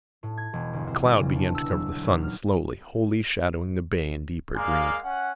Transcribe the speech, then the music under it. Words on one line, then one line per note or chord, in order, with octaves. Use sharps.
A cloud began to cover the sun slowly, wholly, shadowing the bay in deeper green.
A2
G#6
E1
G1
C4
G3
C#3
D4
E6
F#3
D#1
F6
G#3 A#3 D5 F5
C#4 F#5